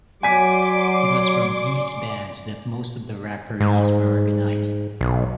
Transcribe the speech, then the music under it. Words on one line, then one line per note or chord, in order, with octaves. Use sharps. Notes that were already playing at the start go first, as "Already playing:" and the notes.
It was from these bands that most of the Rapparees were organised.
F#3 D5 G#5 C6 D6 B6
G#2
B1